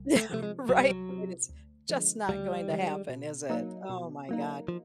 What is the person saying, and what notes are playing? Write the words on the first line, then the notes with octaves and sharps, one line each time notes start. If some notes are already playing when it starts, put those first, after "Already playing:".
Yeah, right? It is just not going to happen, is it? Oh, my god.
Already playing: C2
A3
C3 F3 A3
G#3
C2 F#3
G3
F#3
C3 F3
D2
D3 F3 G#3
D2 G3
D3 F3 G#3
B2
F#3 A#3 D#4
B2
F#3 A#3 D#4
F3